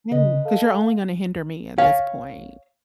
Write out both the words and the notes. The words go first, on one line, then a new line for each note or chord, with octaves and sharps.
Right, 'cause you're only gonna hinder me at this point.
C#3 B4 D#5
A4 F5
C#5 F5